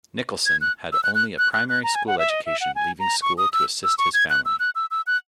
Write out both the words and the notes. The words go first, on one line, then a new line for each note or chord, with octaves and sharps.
Nicholson had only a primary school education leaving school to assist his family.
G#6
F#6
E6
F#6
F#6
F#6
F#6
F#6
A#5
G#5
F#5
E5
D#5
E5
F#5
G#5
A#5
C#6
D#6
E6
E6
C#6
G#6
F#6
E6
F#6
E6
E6
F#6